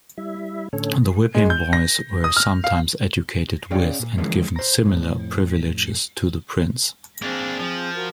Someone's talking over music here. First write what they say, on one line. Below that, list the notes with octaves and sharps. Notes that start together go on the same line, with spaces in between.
The whipping boys were sometimes educated with and given similar privileges to the prince.
G3 E4 E5
A2 D3 C#4 A4 C#5
G#3
G6
A#6
D#6
F6
F5
C#4 G#4 C#5 D5 F5 G5
A#2
D3 E3 F3 G#3 A#3 C#4
C5 A#5
F2 A2
A#3 C4 D4 G#4
F3
F#4 A#4